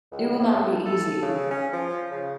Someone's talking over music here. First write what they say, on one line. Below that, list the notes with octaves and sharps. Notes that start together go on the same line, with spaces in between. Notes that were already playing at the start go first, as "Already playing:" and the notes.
It will not be easy.
C#2
A2
A4
C#3
C#4
F3
C#3